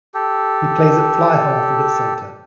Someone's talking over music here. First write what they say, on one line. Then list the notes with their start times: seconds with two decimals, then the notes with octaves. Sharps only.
He plays at fly-half and at centre.
0.14 G4 A4